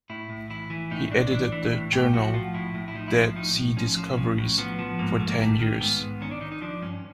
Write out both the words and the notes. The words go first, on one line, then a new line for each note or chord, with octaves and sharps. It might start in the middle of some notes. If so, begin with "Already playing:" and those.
He edited the journal "Dead Sea Discoveries" for ten years.
A2 E4
A2
E3 E4
E3
A2 D#4
A2 D4
E3 D4
E3
A2
A2 G4
F3 F#4
F3 F4
A2 E4
A2
E4
F3 D#4
E4
F3 F4
A2 D#4
A2
F3 C#4
F3
A2 C#4
A2
F3 B3
F3
G#2 A#3
G#2 A3
A#3
D#3 A3
D#3
G#2 B3
G#2
D#3 C#4
D4
D#3 D#4
D#4
F3 D4
G2 C#4